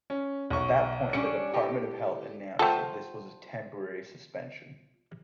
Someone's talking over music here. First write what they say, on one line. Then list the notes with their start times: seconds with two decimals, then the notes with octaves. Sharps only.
At that point the Department of Health announced that this was a temporary suspension.
0.10 C#4
0.50 B1 C#6
1.13 G3 C#4 D4 C#7
1.54 A2 G4
2.59 A3 F4 A4 C5 F#5 G5 A5 C#6